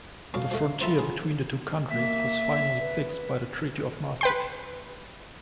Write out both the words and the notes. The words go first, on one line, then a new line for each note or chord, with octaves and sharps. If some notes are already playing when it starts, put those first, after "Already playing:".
The frontier between the two countries was finally fixed by the Treaty of Maastricht.
B1 F#2 A#2 F5
F3 A3
B3 F4 C5 E5 A5 A#5
G#4
A#3 E5
B4
B4 G5 C6